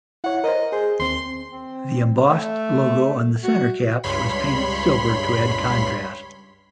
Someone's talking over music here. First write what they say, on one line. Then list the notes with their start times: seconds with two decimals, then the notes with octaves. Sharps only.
The embossed logo on the center caps was painted silver to add contrast.
0.24 E4 C#5 F#5
0.44 A#4 C5 D#5
0.72 G#4 C5
1.00 D#2 C4 C6
1.52 C4
2.29 A3
3.44 F#4
4.03 C#2 G2 C#5 B5 C6 B6